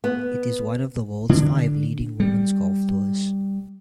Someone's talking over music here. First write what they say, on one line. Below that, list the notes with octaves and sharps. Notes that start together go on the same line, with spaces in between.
It is one of the world's five leading women's golf tours.
B3
D3 D4
G3